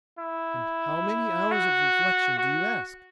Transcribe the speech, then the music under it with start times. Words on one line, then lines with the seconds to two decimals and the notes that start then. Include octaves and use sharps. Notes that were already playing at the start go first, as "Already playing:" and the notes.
"And how many hours of reflection do you ask?"
0.19 E4
1.51 F#4
2.38 F#4